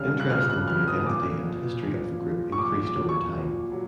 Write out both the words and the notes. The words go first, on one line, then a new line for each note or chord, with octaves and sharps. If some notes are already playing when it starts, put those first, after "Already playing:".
Interest in the identity and history of the group increased over time.
Already playing: C#3 G3 F6
F#6
C#3 F6
F#6
E3 F6
D#6
A#2 D6
F3
A#2
F3
C#6
A#2 D6
D6
F#3
C#6
A#2
F#3